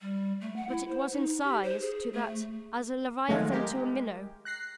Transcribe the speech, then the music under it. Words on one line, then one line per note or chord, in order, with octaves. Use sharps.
But it was in size to that as--as Leviathan to a minnow.
G3
A3
F#5
E4
C5
D#4
G4
C5
G#4
A3
D#3 F3 F#3 G#3 A3
G#3 G4 A#4
F#6 A#6 C7